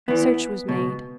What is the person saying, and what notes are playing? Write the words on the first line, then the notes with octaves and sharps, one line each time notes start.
Search was made.
E2 E3 B3
C#2 B2